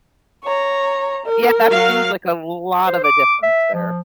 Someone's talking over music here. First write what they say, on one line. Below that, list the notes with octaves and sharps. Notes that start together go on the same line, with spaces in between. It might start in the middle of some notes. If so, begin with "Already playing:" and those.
Yeah, that seems like a lot of a difference there.
C#5 A#5
A#4
F#3 F#4 F5
C5
D6
E5
F3